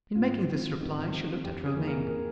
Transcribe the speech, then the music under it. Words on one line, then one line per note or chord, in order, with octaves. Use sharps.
In making this reply, she looked at Romayne.
G#1 F4
G#2 F3 C4
G#1
G#2 F3 C4
F2 G4
G#4
E3 A#3
A#4
A#4